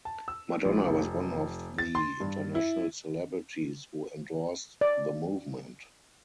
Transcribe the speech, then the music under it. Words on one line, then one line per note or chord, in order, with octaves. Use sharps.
Madonna was one of the international celebrities who endorsed the movement.
A5
E6
A#1
F1
A6
C6
G2
E4
D5